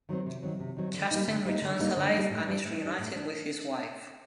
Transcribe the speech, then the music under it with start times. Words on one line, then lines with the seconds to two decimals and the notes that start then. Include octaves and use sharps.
Chastain returns alive and is reunited with his wife.
0.09 D#3 F#3 C4
0.26 C3
0.42 D#3 F#3 C4
0.60 C3
0.77 D#3 F#3 C4
0.94 D3
1.11 G3 A#3 D#4
1.28 D3
1.45 G3 A#3 D#4
1.62 D3
1.79 G3 A#3 D#4
1.97 D3
2.14 G3 A#3 D#4
2.30 A2
2.47 G3 D4
2.65 A2
2.81 G3 D4
2.99 A2
3.16 D4